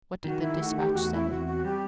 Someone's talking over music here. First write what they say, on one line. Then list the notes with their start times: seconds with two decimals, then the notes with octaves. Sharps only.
What did the despatch say?
0.24 D#3 F#4
0.41 E4
0.52 G4
0.59 A3 F#4
0.77 G4
0.94 E2 F#4
1.12 E4
1.29 C4 F#4
1.46 F#4
1.64 G3 G4